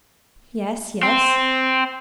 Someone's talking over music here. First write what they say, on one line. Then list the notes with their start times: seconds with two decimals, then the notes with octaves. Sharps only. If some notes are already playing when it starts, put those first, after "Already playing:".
"Yes, yes!"
1.03 C4